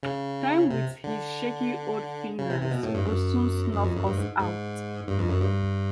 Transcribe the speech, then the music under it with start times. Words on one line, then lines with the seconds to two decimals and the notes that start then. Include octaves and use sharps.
Time with his shaky old fingers will soon snuff us out.
0.03 C#3
0.71 C3
1.04 D3
2.39 C#3
2.50 C3
2.61 C3
2.71 B2
2.83 A2
2.94 G2
3.06 F#2
3.73 F#2
3.84 F2
3.95 F#2
4.06 G2
4.17 G#2
4.40 G#2
5.07 G2
5.19 F2
5.29 F#2
5.41 G2